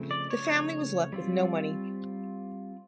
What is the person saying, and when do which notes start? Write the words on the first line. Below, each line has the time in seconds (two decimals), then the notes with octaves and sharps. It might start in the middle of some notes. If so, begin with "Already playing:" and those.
The family was left with no money.
Already playing: C#3 F3 A3 C4
0.11 D5
0.30 C#5
1.13 G3 C4 F4